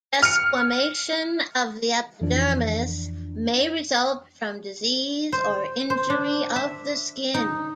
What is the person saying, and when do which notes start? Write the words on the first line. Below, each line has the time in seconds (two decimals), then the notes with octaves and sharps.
Desquamation of the epidermis may result from disease or injury of the skin.
0.22 F6 C#7
2.21 F2 E3 F3 D4
5.32 C5
5.90 C5
6.10 D4
6.56 E5
7.34 D#4